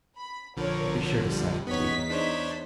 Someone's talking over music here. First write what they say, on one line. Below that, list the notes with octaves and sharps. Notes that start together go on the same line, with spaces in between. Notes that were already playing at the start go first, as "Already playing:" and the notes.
I'll be sure to send it to you.
B5
A#1 D3 F3 A#4 C#5
G3
E2 B3 D#4 C#5 B6
D4 C5 C#5